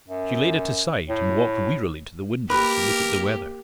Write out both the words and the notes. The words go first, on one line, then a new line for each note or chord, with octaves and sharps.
She laid it aside, and walked wearily to the window to look at the weather.
F#2
A2
A#3 G4 A#4 B4